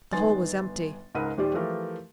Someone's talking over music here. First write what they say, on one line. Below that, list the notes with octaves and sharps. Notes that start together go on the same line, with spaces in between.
The hole was empty.
G1 D#3 B3 G#5 C6 A6
C#2 G#2 A#4 F#5 B5 D#7
D#1 D#3 G3 G4 C5 D5
E3 F3 A3 G4 A#4